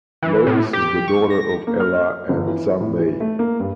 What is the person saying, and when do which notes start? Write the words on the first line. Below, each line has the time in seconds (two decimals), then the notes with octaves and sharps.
Lois is the daughter of Ella and Sam Lane.
0.23 E3
0.47 A2
0.73 G4
1.08 C#6
1.30 A#6
1.67 A#3
1.80 F6
1.95 F6
2.29 G1
2.48 E3
2.80 A2
2.99 E3
3.20 A3
3.39 A#3
3.60 G2